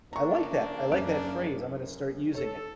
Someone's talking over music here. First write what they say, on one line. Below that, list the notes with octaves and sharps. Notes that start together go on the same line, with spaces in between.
like that. I like that phrase, I'm gonna start using it.
C#3 A#3 D4 A#5 C#6
F#2 D7
A4 C#5